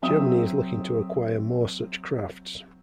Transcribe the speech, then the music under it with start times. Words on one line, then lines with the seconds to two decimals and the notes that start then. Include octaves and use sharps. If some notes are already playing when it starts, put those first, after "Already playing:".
Germany is looking to acquire more such crafts.
0.02 F#3 C4 E5 D#6